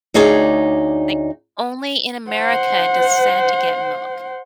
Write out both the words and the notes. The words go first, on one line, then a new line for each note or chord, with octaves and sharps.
Like, only in America does Santa get milk.
D2 D#4 G#4 C#5 D5
C5 F#5